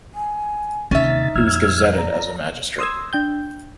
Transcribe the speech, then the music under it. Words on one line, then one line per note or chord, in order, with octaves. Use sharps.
He was gazetted as a magistrate.
G#5
D#2 C3 C#4 D#4 E5 A6
F2 A#2 E6 F6 G#6
D5 A#5
C6 D#6 E6 G#6
D4 G5 G6